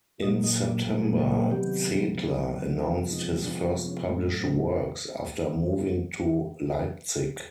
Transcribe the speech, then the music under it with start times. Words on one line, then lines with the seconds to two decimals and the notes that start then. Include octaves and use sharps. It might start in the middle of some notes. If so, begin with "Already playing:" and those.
In September, Zedler announced his first published works after moving to Leipzig.
0.22 A#2 F#3 A#3 D#5
0.44 D#5
0.65 D5
0.87 A#2 F#3 A#3 A4
1.03 G#4
1.18 A4
1.35 G#4
1.51 C3 D#3 F#3 B3 G4
2.15 C3 D#3 F#3 B3
2.79 C3 F3 G#3 B3 D#4
3.12 D#4
3.44 C3 F3 G#3 B3 D4
3.66 C#4
3.88 C#4
4.08 A2 F#3 A3 C4
4.41 C4